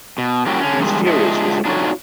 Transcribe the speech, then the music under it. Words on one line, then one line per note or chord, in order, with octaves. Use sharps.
He is furious with the woman.
B2
G3 A#3 C#4 E4 F#4 G4
D3 C#4
E2 D3 D#3 G3 G#3
G#3 D4 F4 G#4 D#5 E5
D4 D#4 F4 F#4 C#5 D5